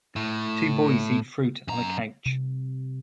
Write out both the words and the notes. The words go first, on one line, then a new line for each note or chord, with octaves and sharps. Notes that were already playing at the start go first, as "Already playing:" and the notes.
Two boys eat fruit on a couch.
A2
F#2 A#5
C3